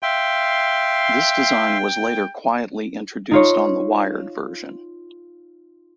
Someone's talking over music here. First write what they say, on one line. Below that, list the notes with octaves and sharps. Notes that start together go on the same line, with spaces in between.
This design was later quietly introduced on the wired version.
E5 F5 G5 C6
D#4 F4 C#5